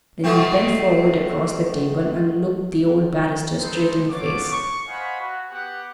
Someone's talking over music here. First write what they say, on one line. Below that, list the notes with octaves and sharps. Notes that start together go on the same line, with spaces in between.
Then he bent forward across the table and looked the old barrister straight in the face.
B2 A3 C4
D#4 G4 A4 B4 C5
A3 F4 F#4 C#5 D6
C#6
C5 D#5 F5 F#5 G#5 B5
F#4
B3 G4 F#5